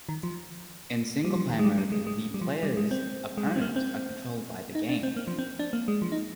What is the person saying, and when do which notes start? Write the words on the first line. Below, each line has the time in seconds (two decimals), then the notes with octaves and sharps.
In singleplayer mode, the player's opponents are controlled by the game.
0.09 D#3
0.23 F3
1.25 G3
1.36 F3
1.50 D#3
1.59 G#3
1.64 G3
1.78 G3
1.92 G#3
2.07 G#3
2.34 G3
2.41 F3
2.63 G3
2.77 G#3
2.91 C4
3.37 G#3
3.47 G3
3.55 C4
3.61 A#3
3.76 C4
4.75 D#4
4.89 D4
5.03 C4
5.17 A#3
5.27 F3
5.39 C4
5.59 D4
5.73 A#3
5.88 G#3
6.02 F3
6.12 D#4